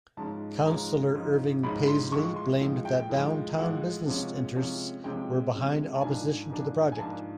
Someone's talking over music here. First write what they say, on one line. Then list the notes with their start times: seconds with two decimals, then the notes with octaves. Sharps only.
Councillor Irving Paisley blamed that downtown business interests were behind opposition to the project.
0.17 G#2 F3 G#3 C#4 A5
0.66 G#2 F3 G#3 C#4 A#5
1.15 G#2 F3 G#3 C#4
1.63 G#2 F3 G#3 C#4 B5
1.88 C6
2.11 A2 F3 G#3 C#6
2.36 C6
2.60 A2 F3 G#3
2.85 G5
3.09 A2 F3 G#3
3.58 A2 F3 G#3 F#5
4.06 C3 F3 G#3 C#4
4.55 C3 F3 G#3 C#4
5.04 C3 F3 G#3 C#4 G5
5.52 C3 F3 G#3 C#4
5.95 A5
6.01 G#2 F3 A#3 D4 G#5
6.50 G#2 F3 A#3 D4
6.92 G#5
6.99 G#2 F3 A#3 D4 A5